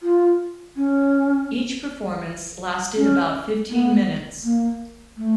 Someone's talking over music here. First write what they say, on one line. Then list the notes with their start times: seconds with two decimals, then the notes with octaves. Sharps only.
Each performance lasted about fifteen minutes.
0.02 F4
0.76 C#4
2.96 C#4
3.70 B3
4.44 A#3
5.17 A3